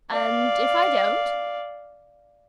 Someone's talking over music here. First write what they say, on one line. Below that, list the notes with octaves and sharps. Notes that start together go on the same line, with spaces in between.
"And if I don't?"
D5 F5